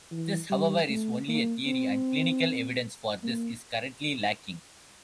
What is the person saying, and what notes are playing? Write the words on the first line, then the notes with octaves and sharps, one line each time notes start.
This, however, is only a theory, and clinical evidence for this is currently lacking.
E3
G3
A3
A#3
C4
A#3